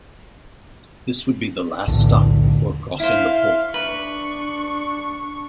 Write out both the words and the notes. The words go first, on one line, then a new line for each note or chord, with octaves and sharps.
This would be the last stop before crossing the pole.
B1 E2 A2 D3
E4 C5 F5
D4 B4 C#6